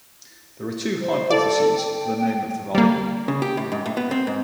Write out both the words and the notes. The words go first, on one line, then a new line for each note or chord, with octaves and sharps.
There are two hypotheses for the name of the valley.
C5
A4 D5
G5
G3 A#3
C#3
G4
A2
G#2
A2
B3
C4
G#2